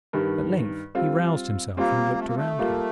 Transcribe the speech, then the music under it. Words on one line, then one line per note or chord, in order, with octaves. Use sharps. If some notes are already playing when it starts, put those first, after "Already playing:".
At length he roused himself and looked around him.
G2 D#3 G3
G3 C4 F4
G3 A#3 C4 F4
A3
A#3
A3
G3 A#3 F4